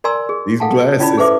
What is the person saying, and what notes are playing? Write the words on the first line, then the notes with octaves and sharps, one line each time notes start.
These glasses
A#4 D5 G#5 A#5 C6 E6
G#4
A4 F5 F#5 G#5 A5
C#4 E4 F4 D5 A5 B5
G#4 A4 B4 C5 E5 D6